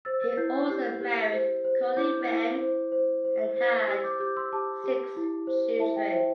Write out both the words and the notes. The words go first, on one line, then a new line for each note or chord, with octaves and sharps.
He also married Colleen Wren and had six children.
C5 E6 A6
E6 A6
E4 G6 C7
G4 G6 C7
G4
C5
C5
E4 D6 G6
E4
C5
C5
C5
C5
G4 E6 A6
D6 G6
G4 D6 G6
C6 E6
G4 A5 D6
G4
E4
C5
E4 E5 A5
G5
C5 E5